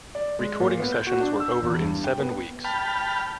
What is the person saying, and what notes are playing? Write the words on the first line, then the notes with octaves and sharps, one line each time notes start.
Recording sessions were over in seven weeks.
D5
G#3
A#2
B3
G6
F#4
D4
E6
E2
G2
G5
B3
G5 A5 B5 F6